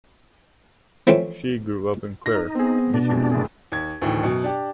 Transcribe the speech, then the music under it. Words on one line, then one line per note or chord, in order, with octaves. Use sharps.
She grew up in Clare, Michigan.
E3 F3 A3 C4 C#4
D#4 A#6
B3 C4 G#4
B2 D4
F2 C3 G#3
F#1 A2 G#4
D#2 G#6
D2 A2 D#3 E3
F#2 B2
D4 G4 D5